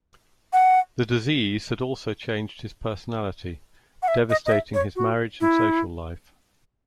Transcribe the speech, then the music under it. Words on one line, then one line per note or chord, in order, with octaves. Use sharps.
The disease had also changed his personality, devastating his marriage and social life.
F#5
F#5
E5
D#5
D#5
E5
C#5
F#4
E4